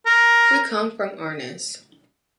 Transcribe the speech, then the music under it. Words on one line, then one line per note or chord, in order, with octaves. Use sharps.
We come from Arnes.
A#4